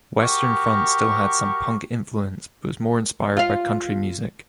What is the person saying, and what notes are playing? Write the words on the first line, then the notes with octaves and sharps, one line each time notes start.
Western Front still had some punk influence but was more inspired by country music.
F#4 G4 A#4 C#6
F4 F5